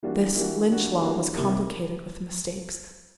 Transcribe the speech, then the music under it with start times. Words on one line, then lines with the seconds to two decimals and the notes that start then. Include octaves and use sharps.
This Lynch law was complicated with mistakes.
0.03 E3 G3 A#3 D4 F#4
0.36 E3 G3 A#3 D4 F#4
0.68 E3 G3 A#3 D4 F#4
1.01 E3 G3 A#3 D4 F#4
1.34 C3 D#3 G3 A#3 D#4